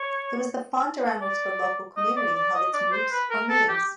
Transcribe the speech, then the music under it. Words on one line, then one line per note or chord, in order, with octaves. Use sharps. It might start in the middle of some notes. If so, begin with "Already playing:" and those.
It was the font around which the local community held its moots or meetings.
Already playing: C#5
D5
D#5
D5
D5
D#5
D5
C5
B4
A#4
A4
G4